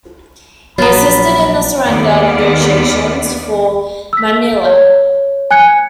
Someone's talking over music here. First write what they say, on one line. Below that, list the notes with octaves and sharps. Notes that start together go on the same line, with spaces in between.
He assisted in the surrender negotiations for Manila.
A#1 F#3 B3 F4 C#5 A#5 B5
D#2 B3 D5
E6 B6
C#5
G#5 F#6 G#6 C#7